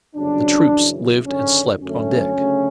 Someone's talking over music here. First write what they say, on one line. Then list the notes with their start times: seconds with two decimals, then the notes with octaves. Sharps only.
The troops lived and slept on deck.
0.15 G1 F#2 C#3 F#3 D4
0.71 F#2 C#3 E3
1.26 F#1 F#2 D3 C#4
1.81 F#2 D3 A3 C#4
2.36 D2 C#3 F#3 A3